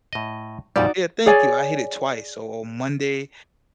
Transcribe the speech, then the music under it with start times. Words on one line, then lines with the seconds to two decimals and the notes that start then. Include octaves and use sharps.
Yeah. Thank you. I hit it twice. So on Monday,
0.13 A2 D#5
0.76 F2 A#2 G3 D#4 F#4 D5
1.26 G#4 C#5 D5 G#5